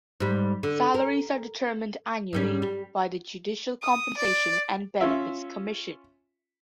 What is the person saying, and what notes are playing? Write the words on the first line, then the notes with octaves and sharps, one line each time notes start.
Salaries are determined annually by the Judicial Compensation and Benefits Commission.
G#2 G3
D3
A#4
G#2 G3 C#4
G3
D#6
D5
C#4 F4 E5